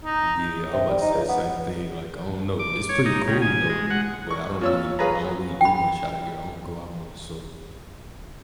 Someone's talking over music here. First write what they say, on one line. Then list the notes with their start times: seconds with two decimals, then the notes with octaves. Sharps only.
Yeah, I'm 'bout to say the same thing, like, I don't know, it's pretty cool, though, but I don't really I don't really do much out here, I don't go out much, so
0.05 D#4
0.73 C3
0.89 G3
1.02 D#4
1.14 C#2
1.29 B3
2.59 D6
2.89 C#5
3.06 D#4
3.28 C#3
3.42 G#5
3.69 G#3
3.90 F#5
4.30 C#6
4.61 A#2 C#5 E6
4.99 F4 G#4 B4 C#5 A#5
5.61 G5 B5